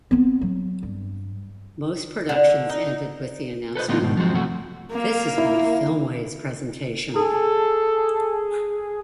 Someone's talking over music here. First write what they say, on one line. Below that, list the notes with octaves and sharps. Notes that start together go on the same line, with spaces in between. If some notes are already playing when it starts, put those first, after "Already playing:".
Most productions ended with the announcement, "This has been a Filmways presentation".
B3 C4
F#3
G2
D3
D#4
A4 B4 C5 D#5
A2 D3 B3 D4 D#4 F4
G#2 B2 D#3
F2 F3 F#3 G#3 C4
F#2 C3 F3 A3 F#4
A#3 F5
E4
G#4 A4